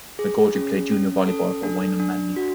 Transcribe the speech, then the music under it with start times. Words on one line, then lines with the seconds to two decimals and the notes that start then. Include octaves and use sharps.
McGoldrick played junior volleyball for Wynnum Manly.
0.19 G#4
0.55 C#4
0.91 C#4
1.27 A4
1.63 D4
2.00 D4
2.36 F#4